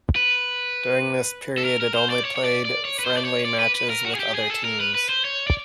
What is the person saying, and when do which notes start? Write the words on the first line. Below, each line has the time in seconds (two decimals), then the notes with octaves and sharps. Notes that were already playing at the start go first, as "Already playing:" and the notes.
During this period it only played friendly matches with other teams.
0.16 B4
1.58 A4
1.65 A#4
1.81 A#4
1.95 C5
2.10 D5
2.25 C#5
2.36 C#5
2.44 D5
2.65 D5
2.85 C#5
2.99 B4
3.06 C5
3.17 D5
3.25 C#5
3.45 D5
3.59 B4
3.75 B4
3.90 A#4
4.05 F#4
4.15 G#4
4.19 G4
4.35 G#4
4.50 A4
4.65 A#4
4.80 B4
4.95 B4
5.09 C5
5.25 C#5
5.47 D5